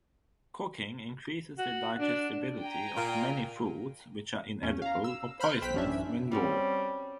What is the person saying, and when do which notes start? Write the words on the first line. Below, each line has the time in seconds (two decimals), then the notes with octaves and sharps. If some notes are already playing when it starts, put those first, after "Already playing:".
Cooking increases the digestibility of many foods which are inedible or poisonous when raw.
1.58 F#4
1.99 D4
2.62 G5 G#5 A#5
2.96 A#2
4.62 E2 C#4
4.82 F5 A#5
5.04 E6
5.40 C5 B5 F6 F#6
5.62 B1 C5 G5 B6
5.74 A1 F#2 C#4 D4 E5
6.32 G3 C4 C#4 F#4